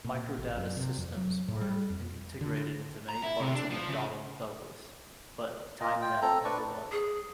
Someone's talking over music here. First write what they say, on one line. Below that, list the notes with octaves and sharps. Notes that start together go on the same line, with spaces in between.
Microdata's systems were integrated into many parts of McDonnell Douglas, but Tymnet never was.
A#2
A1
F#2
C3
F2
F#3
A2
G3
F2
D3
A#5
E4
C3
D4
F3
C#3
A#3 F4 D#5
F4 G5
C4 A4 A#5
D4 B4 D5 C#6
G#4